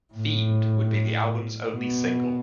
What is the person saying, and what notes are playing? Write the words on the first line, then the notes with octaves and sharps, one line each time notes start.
"Fiend" would be the album's only single.
A2
B2